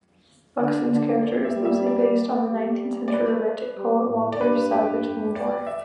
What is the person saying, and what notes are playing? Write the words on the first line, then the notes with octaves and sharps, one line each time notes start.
Buxton's character is loosely based on the nineteenth century Romantic poet Walter Savage Landor.
D3 D5
D3
D5
E5
G3
E5
D5
G3
D5
B4
G3
A2
D5
G2 B4
G4
D5
E5